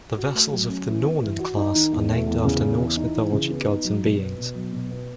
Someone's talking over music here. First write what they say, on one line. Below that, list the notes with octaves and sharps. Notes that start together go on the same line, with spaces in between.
The vessels of the "Nornen" class are named after Norse mythology gods and beings.
F#4
A3
F#3
C#4
E3
B3
E3
F#4
D#4
D#3
E2
A3
E2
C#3
E2
E3
D#4
E3
C#3
B3
D#4
F#3
B2
B3
B2
F#3
B2
B3